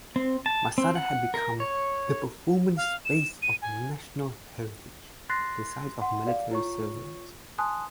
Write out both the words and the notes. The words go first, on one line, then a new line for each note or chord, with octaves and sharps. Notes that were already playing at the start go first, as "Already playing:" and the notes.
Masada had become "the performance space of national heritage", the site of military ceremonies.
C4
A5
C4
F#5
A#4
C#5
F5
E7
D#7
G#5
C6 F#6 A6 A#6 C7
F#5 C6
D5 F5
F4 C#5 C#6
G#5 A5 C6 D#6 F#6